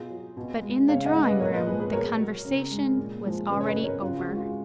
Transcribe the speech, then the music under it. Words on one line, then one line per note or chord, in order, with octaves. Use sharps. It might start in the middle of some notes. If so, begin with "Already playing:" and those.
But in the drawing-room the conversation was already over.
Already playing: B2 F4 G#4
F#3
B2
G#3
C#3 C#5 F5
D#5 F#5
G#3
B4 D#5
A#2 A#4 C#5
B4 D#5
F3 G#3 G#4 B4
G#4 B4
B2 A#4 C#5
F#3
C#3
G#3
A#2
F3 G#3
C#3 G#4 B4
C#5
B4 D#5
F#3
A#4 C#5
C#3 F4 G#4
F#4
G#3
F4